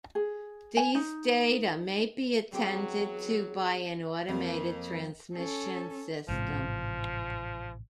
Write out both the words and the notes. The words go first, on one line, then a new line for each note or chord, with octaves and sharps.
These data may be attended to by an automated transmission system.
G#4
G#5
D#4
E2 F#3 C4 G4 G#4 G5
F2 F3 A#3
C#4 A4
A1 G#2 C3 F3